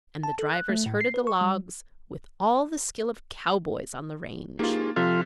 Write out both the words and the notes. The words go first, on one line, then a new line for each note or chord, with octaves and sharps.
And the drivers herded the logs with all the skill of cowboys on the range.
A5
A4
F#6
A3
A2
C7
B4
C#6
G3
A#3 D#4 F4 G4 G#4
C3 F3 F4 A4